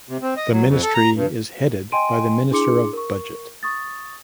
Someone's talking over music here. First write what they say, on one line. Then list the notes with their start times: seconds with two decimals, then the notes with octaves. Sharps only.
The Ministry is headed by the Minister of Budget.
0.09 C3
0.22 C4
0.37 D#5
0.51 F#3
0.67 F2
0.83 A4
0.95 A#5
1.15 G2
1.92 D#5 G5 G#5 C6 D7 D#7
2.51 D4 E4 G#4 C6 D6 C#7
2.93 A#4 C#6
3.63 C#6 D#6 A6